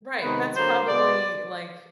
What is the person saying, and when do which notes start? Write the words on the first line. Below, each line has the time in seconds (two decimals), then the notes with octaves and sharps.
Right, that's probably, like,
0.22 C3 D#3 G#3 B3 B4
0.55 D3 F#3 A#3 C5
0.87 B2 G#3 B3 D5